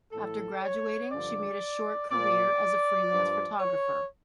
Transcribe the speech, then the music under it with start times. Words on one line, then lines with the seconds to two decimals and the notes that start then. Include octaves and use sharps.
After graduating, she made a short career as a freelance photographer.
0.12 A2 E3 A4
0.62 C#5
1.11 G2 D3 F3 D5
2.10 A#2 F3 D5
3.10 G2 F3
3.59 C#5